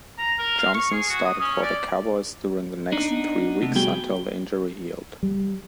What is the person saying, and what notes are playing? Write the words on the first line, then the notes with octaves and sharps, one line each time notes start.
Johnson started for the Cowboys during the next three weeks until the injury healed.
A#5
A#4
F5
C#6
G#4
F#4
D#6
C#4
D5
D4 D#4
B3
C3 A3
G3 F#4 G#4 G5
G3